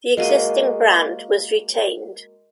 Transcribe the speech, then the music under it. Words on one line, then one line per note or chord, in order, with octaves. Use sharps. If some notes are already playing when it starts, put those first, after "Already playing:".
The existing brand was retained.
G#3 A#3 F#4 D#5